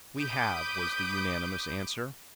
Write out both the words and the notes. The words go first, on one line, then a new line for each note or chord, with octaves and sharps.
"We have," was the unanimous answer.
B5 D6 D#6 G6